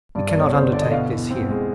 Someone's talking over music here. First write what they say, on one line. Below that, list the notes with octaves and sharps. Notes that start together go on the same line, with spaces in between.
We cannot undertake this here.
G2 D5
D5
G1
C#5
G1 C5
D3 D5
D#5
B2 F5
E2
C4
G#3